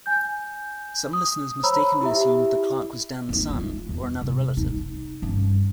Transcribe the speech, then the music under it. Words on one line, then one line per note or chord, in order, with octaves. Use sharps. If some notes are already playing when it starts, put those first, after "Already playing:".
Some listeners mistakenly assumed that Clarke was Dan's son, or another relative.
G#5 G6
D#6
C5 C#5 A#5 B5 E6
E4 G4 E5
A#3 D#4
G#3 F4
E2
C3
D#4
G2 C#4